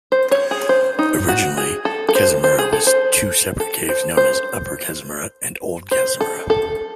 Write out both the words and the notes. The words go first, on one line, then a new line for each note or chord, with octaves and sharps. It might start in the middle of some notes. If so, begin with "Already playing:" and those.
Originally Kazumura was two separate caves known as Upper Kazumura and Old Kazumura.
C5
C#5
G#4
C5
D#4
F#4
G#4
A4
A4
C5
C5
G#4
A4
C5
A4
C5
C5
C5
A4
A4